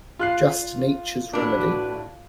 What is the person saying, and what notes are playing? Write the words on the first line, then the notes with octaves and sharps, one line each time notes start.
Just Nature's remedy.
F4 F#6 C7
A2 D4 F#4 B4